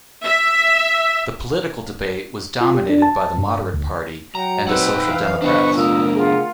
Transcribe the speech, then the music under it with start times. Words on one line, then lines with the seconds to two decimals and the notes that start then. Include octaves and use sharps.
The political debate was dominated by the Moderate Party and the Social Democrats.
0.25 E5
2.61 F4
2.75 G4
2.89 D4
3.02 A5
3.38 G2
3.74 D2
4.35 F#3 F#5 G5 A#5
4.67 C4 D#4 B4 F#5 G5 E6
5.06 E3 F5
5.42 C#3 B3 D4 B4 C5 D#5 F#5 C#6
5.76 A3 A#3 F4 A#4 D#6 E6
6.15 F4 G#4 F#5